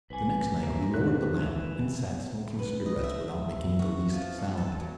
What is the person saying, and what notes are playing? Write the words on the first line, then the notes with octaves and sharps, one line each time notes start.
The next night we lowered the lamp and sat smoking cigarettes without making the least sound.
C2 B4 G#5
A#3 B3 E5
E2 A#2 D3 D#3 F3 E5 F#6
E3
B4
D#5
E5
F#4
F3
F2
A4
F#3